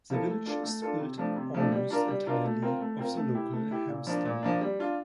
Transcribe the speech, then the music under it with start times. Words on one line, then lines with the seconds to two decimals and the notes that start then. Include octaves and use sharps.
The village is built almost entirely of the local hamstone.
0.10 F3 A#3 E4 A4
0.28 A3
0.46 D4 F4 A4
0.63 A3
0.82 D4 F4 A4
1.00 C3
1.18 F3 A3 D4
1.36 C3
1.54 F3 A3 D4
1.72 G3
1.90 D4 F4 A#4
2.08 G3
2.26 D4 F4 A#4
2.44 A3
2.62 C4 F4 A#4
2.81 A3
2.99 C4 F4 A#4
3.17 A3
3.34 E4 G4
3.53 A3
3.71 E4 G4
3.89 A#2
4.07 F3 A#3 D4
4.25 A#2
4.43 F3 A#3 D4
4.61 G3
4.79 D4 F4